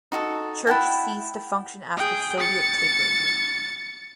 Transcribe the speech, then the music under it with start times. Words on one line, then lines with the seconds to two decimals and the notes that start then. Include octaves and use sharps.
Church ceased to function after Soviet takeover.
0.12 D#4 F#4 G4 A4
0.67 E4 F#5 G5 A5
1.97 G#4 G5
2.39 A6 C#7